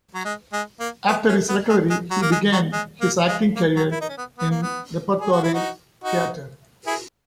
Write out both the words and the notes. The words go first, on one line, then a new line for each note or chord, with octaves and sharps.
After his recovery he began his acting career in repertory theatre.
F#3
G#3
G#3
A#3
B3
C#4
B3
G#3
G#3
F#3
A#3
G#3
F#3
G#3
A#3
G#3
A#3
F#3
E4
D#4
C#4
B3
B3
A#3
B3
G#4
F#4
E4
D#4 F#4
D#4 F#4
E4 G#4